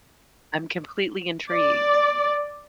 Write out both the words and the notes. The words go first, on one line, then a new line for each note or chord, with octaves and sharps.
I'm completely intrigued.
D5